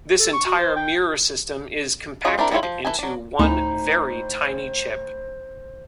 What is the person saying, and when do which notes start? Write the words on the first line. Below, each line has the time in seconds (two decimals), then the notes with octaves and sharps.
This entire mirror system is compacted into one very tiny chip.
0.19 A4
0.33 C#6
0.46 F#4
0.58 C5
0.76 G5
2.25 C#4 F4 G#4 D#5
2.38 C4 D4 E4 A#4
2.51 G3 D4 E4 F4 C#5
2.63 F3
2.85 E3 E4 A4 G#5
2.99 F#3 D4
3.39 D2 A2 D#4 C5 G#5 B5